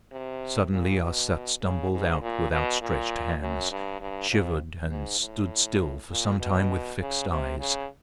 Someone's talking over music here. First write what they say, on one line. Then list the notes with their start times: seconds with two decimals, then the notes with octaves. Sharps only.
Suddenly Arsat stumbled out with outstretched hands, shivered, and stood still for some time with fixed eyes.
0.12 C3
0.72 A#2
1.02 B2
1.62 C#3
1.92 G#2
2.22 A#2
2.51 B2
2.81 A#2
3.41 F#2
3.71 G2
4.01 G2
4.30 F2
4.90 G#2
5.20 A2
6.10 A#2
6.40 B2
7.00 C#3
7.30 C3
7.60 C#3